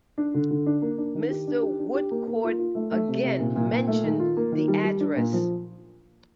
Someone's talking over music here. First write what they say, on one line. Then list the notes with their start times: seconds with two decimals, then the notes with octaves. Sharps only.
Mr. Woodcourt again mentioned the address.
0.18 D4
0.34 D3
0.51 D3
0.66 D4
0.82 A#3
0.98 D4
1.15 D#3
1.30 G4
1.47 D4
1.63 G4
1.79 D4
1.94 G4
2.11 A#3
2.27 A#3
2.44 F4
2.59 F4
2.75 A3
2.91 A3
3.08 C3
3.23 C3
3.40 A#2
3.56 A#2
3.72 A#2
3.88 A3
4.03 D#3
4.20 F4
4.37 A#3
4.52 D#3
4.68 G3
4.84 G3
5.00 D4
5.16 A#2
5.33 F3